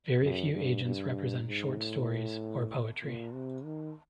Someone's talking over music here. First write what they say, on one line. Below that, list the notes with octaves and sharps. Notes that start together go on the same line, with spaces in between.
Very few agents represent short stories or poetry.
F#2
G2
G2
G#2
A2
A#2
C3
D#3